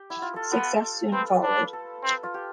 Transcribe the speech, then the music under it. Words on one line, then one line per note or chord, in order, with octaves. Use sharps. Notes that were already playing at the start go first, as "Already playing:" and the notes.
Success soon followed.
Already playing: G4
E4
F4
A4
B3 A4
C4 B4
D4
A4
C4
F4
G4